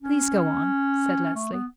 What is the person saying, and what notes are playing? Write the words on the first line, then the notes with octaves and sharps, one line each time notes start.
"Please, go on," said Leslie.
C#4
A3
B3